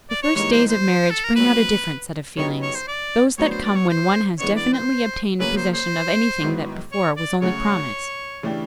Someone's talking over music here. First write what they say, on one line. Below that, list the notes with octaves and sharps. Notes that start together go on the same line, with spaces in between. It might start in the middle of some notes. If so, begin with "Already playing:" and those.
But the first days of marriage bring out a different set of feelings--those that come when one has definitely obtained possession of anything that before was only promised.
D5
C#5
G#2 E3 G3 A#3 D#4 C#5
C5
C5
A4
A#4
A#2 F#3 A3 C4 B4
C#3 F#3 B3 D#4 G4 C#5
C#5
C5
D5
A2 F#3 B3 D4 C#5
C5
D5
C#5
C5
E3 G#3 B3 D4 C#5
D5
C5
C#3 F#3 A#3 C#4 B4
C5
C5
G#2 D#3 F#3 B3 E4
C#5
D5
C#3 F#3 A3 C#4 F#4 C#5
C#3 E3 A3 D4 G4